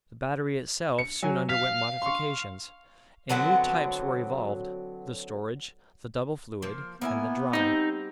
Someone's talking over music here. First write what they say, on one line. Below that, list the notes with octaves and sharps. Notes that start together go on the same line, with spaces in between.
The battery itself soon underwent modifications, and new types were evolved--the storage, the double-fluid, and the dry.
C#7
F#3 G#5
F5 B6
C6 C#6
D3 F#3 B3 C4
F3 A#3
A#3 B3 E4 G#5
G3 C4 D#4